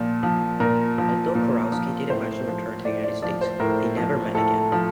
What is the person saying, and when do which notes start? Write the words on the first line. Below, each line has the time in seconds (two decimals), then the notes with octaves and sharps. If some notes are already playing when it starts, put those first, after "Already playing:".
Although Kurowsky did eventually return to the United States, they never met again.
Already playing: A#2 F3
0.23 F3
0.60 A#2 A#4
0.98 F3
1.35 A#2
1.72 F3
2.10 A2 C5
2.47 F3
2.85 A2 D5
3.04 D5
3.22 F3 D5
3.41 C5
3.60 A2 A#4
3.97 F3
4.34 A2 A4
4.72 F3